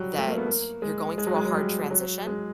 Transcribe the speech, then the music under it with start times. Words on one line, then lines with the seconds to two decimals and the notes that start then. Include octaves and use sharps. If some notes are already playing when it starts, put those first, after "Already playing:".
that you're going through a hard transition
Already playing: F#3 G3
0.18 A3
0.28 A#3
0.37 B3
0.46 A#3
0.82 G#3
1.18 G#3
1.27 F#3
1.36 G#3
1.45 F#3
1.54 G3
1.90 F#3
2.26 G#3